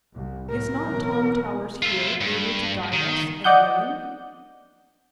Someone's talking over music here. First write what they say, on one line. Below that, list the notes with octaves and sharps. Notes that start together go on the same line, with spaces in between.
Is not Tom Towers here, able to guide us and willing?
C2
A2 F#3 A#4
B2 E3 F#3
F4 E5
G2
D#3
D5 D#5 F#5 G6